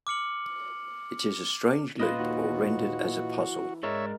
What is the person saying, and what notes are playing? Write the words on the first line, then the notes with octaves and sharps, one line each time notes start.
It is a strange loop or rendered as a puzzle.
D6 F6 C#7 F#7
A#2 F4 B4 D#5
D#2 F#4
E3
G#2 G#3 D4 D#4 A#4 C#5 E5